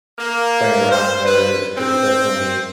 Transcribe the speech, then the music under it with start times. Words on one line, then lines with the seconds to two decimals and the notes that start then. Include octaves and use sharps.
playing around there is is definitely
0.18 A#3
0.90 C5
1.26 B4
1.77 C4